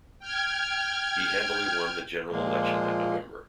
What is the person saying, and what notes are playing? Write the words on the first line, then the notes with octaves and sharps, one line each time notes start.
He handily won the general election that November.
G5 F6 G#6
A#2 F3 G#3 A#3